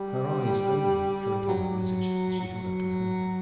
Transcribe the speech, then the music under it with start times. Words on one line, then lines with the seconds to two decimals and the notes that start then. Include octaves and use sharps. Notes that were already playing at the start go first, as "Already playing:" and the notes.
Her eyes only carried him her message as she held out her hand.
Already playing: G3
1.48 F#3
2.40 F#3